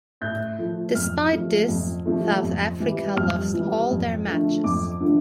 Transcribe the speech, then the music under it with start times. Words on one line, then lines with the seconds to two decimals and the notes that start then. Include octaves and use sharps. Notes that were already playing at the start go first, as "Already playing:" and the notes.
Despite this, South Africa lost all their matches.
0.21 A2 G6
0.58 F3 A3
0.95 F2 F6
1.32 C3 F3 A3
1.68 F2
2.06 C3 F3 A3
2.43 F2
2.80 E3 G3
3.16 F2 F6
3.53 E3 G3
3.91 F2
4.27 D3 F3 A3
4.64 F2 D6
5.00 D3 F3 A3